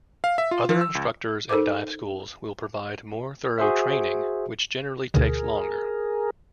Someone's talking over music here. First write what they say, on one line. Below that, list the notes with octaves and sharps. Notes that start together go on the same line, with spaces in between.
Other instructors and dive schools will provide more thorough training, which generally takes longer.
F5
E5
F4
F3
E6
C#2
D#4 A4 A#4 C5 D6
F#4 G#4 C5 E5
D2 B2 D3 G#4 A#4